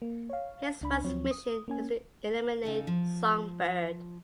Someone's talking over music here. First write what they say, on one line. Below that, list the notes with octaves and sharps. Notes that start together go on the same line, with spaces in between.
His first mission is to eliminate Songbird.
A#3
C#5 F5
C#2 D4 B5
D2 F3 F#3 C4 C#5
D#6
A#3 C#4 G#5
C#3 D#4 A4
F3